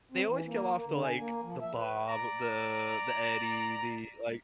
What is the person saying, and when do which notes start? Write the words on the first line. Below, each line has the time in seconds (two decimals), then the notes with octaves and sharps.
They always kill off the, like, the Bob, the the Eddie, the like,
0.12 C4
0.27 E3
0.46 A#3
0.73 A#3
0.87 D3
1.03 G#5
1.18 A#3
1.43 F3
1.61 E5
1.77 B4
2.09 D5 A#5